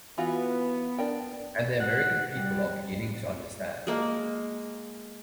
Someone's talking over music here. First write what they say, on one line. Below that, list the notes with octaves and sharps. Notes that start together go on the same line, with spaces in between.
And the American people are beginning to understand.
E3 B3 F4 F#4
D4 A#4 G5
F#5
G3
G#3 A#3 A5